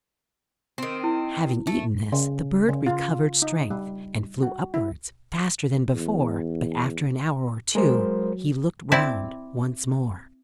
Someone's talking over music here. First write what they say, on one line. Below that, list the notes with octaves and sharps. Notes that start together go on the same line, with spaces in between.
Having eaten this the bird recovered strength, and flew upwards faster than before; but after an hour or two he looked round once more.
D#3 C4
E4
A3
C#3
C#3
F4
D#4
G3
F#4
E4
E2
F#3 G#3 A#4 C5
C4 E4 D5